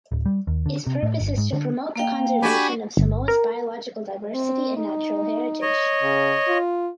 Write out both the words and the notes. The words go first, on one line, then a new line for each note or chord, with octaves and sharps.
Its purpose is to promote the conservation of Samoa’s biological diversity and natural heritage.
D1
G3
D#2
D3
C3
A2
G1
G#2
D3
A#3 F5 G5
D4 F#4 G4 G#5 B5
G1
A#4
C4
D#4
C#5 D#5
C#3
F4